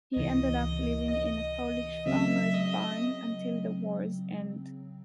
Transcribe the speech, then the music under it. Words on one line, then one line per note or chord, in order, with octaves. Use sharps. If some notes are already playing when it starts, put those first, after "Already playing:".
He ended up living in a Polish farmer's barn until the war's end.
C#2 C3 E3 D#5
D#5
C#3 F#3 C4 E5
D#5